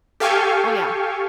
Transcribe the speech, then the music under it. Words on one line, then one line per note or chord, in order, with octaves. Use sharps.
Oh yeah,
G4 A4 F5 G5 G#5 C#6